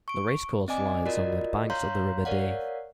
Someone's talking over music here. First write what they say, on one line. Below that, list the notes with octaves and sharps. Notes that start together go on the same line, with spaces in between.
The racecourse lies on the banks of the River Dee.
C#6 D7
C4 D5 D#5 G#5 D6
F4 F#4 A#4 D5 D#5
C#5 F5 A#5 C6 G6
A#4 C#5 D5 F5 F#5